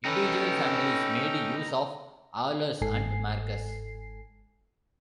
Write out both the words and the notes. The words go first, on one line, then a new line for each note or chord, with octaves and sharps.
Individual families made use of "Aulus" and "Marcus".
C#4 D#4 A4 B4 G5
G1 G#2 A4 G#5 C7